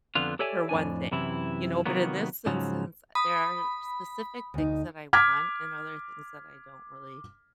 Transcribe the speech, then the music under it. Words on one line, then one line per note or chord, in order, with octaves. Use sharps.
for one thing, you know, but in this instance, uh, there are specific things that I want, and other things that I don't really
F2 D3 B3 F4
G4 A4 C#5 D5 E5 G#5
F2 A2 D4 G#5
F#2 C3 E3 E4
C3 D#3 F#3 A#3 B3
G#2 C#3 F3 F#3
B5 D#6
D2 D#4
D6 F6 G#6 B6